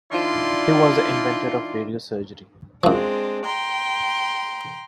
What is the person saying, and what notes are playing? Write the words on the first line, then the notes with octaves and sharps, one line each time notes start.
He was the inventor of radiosurgery.
D#3 D4 E4 F4 D5 C6
F#2 F3 G#3 C4 D4
G5 A#5 C6